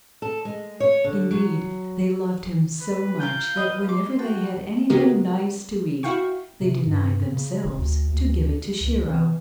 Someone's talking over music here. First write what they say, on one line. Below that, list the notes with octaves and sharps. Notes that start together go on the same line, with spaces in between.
Indeed, they loved him so much that whenever they had anything nice to eat they denied themselves to give it to Shiro.
A4
G#3
C#5
D3
F#3
B4
F4 A#4 F5 G6
B4 D#5 F5
C6 D6
F#4 G5 A5
C#3 G#3 B3 F#4 G4 A#4
E4 F#4 F5 G5 C#6
C3
G2
C#3
D#1
D2
D2
C#2
E3